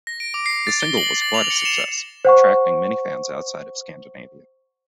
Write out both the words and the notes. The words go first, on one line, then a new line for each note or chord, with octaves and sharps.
The single was quite a success, attracting many fans outside of Scandinavia.
A#6
D7
D6
C7
A6
G7
F#7
A6
F7
C#7
E7
C5 F#5 C#6